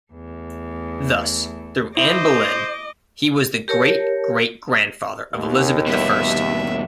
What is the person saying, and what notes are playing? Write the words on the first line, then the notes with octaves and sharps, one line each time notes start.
Thus, through Anne Boleyn, he was the great-great-grandfather of Elizabeth the First.
E2 A3
E4 C5 D#5 D6
G4 A#4 C#5 A5
D#2
G2 B2 E5